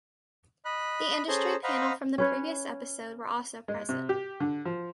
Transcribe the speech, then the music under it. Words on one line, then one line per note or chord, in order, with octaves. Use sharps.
The industry panel from the previous episode were also present.
D#5 B5 F#6
C#4 G#4 A4 C5 A#5
C5 D#5 F5 F#5 A#5 B5
C#4 B4 C#5
G#3
C3
G4
D3
F3